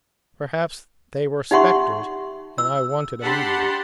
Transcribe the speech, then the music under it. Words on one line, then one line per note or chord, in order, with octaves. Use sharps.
Perhaps they were Spectres, and I wanted a Medium.
D#4 G4 E5 F#5 C6 C#6
E6
D4 G4 F#5 A5 B5 C6